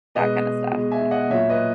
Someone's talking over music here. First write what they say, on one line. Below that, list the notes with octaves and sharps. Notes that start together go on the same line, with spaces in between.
that kinda stuff, like
B2 G#3 B4 D#5
B2 G#3
E5 G#5
D#5 F#5
A#2 F#3 C#5 E5
B4 D#5